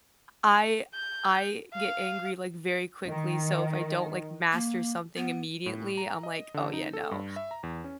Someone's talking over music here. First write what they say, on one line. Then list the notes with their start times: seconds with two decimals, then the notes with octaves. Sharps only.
I I get angry, like, very quickly, so if I don't, like, master something immediately, I'm like, "Oh, yeah, no,"
0.95 G6
1.73 F5
3.07 D#3
4.52 A#3
5.16 B3
5.66 A2
5.97 A#5
6.23 D#5
6.54 D3
6.73 D#4
6.93 A4
7.11 G2
7.36 E5
7.51 A#5
7.63 E2
7.84 C#4